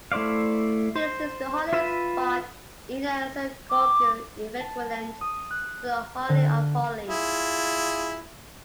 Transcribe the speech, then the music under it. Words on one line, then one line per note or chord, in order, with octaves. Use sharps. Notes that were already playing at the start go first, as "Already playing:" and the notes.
This is the holiest spot in a synagogue, equivalent to the Holy of Holies.
A3 E4 C5 D5 F5
C5
F4 B4 E5
D6
A5
D#6
F#6
D3
E4 F4 G#4